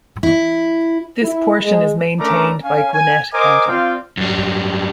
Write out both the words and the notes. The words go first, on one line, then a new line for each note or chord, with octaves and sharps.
This portion is maintained by Gwinnett County.
E4
E4
G#3
A3 C#4 D4 A#4 A#5 D6
C#4 F5 G#5
G#5
A#4 C5 D#5 G#5 D6
C4 F4 D5 F5 G5
F#2 G3